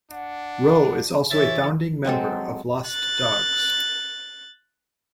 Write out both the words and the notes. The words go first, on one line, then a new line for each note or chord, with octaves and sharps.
Roe is also a founding member of Lost Dogs.
D4 F#5
E3 C#5 E5 A6
F#3 G#3 C4 A4
F#6 A6